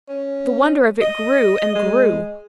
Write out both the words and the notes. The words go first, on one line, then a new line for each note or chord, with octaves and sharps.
The wonder of it grew--and grew.
C#4
D#5
G#3